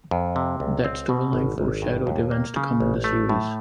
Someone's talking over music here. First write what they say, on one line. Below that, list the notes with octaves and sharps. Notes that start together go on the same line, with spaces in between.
That storyline foreshadowed events to come in the series.
F2
C3
C#2
C4
B2
G#1
G#1
G2
D#2
A#3
C#3
A1
A3
A2